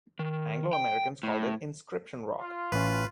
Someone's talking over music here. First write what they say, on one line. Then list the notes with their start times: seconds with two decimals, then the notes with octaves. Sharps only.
Anglo-Americans called it Inscription Rock.
0.19 D#3
0.73 G5
1.23 A2
2.38 F4
2.72 A1 C#4 B4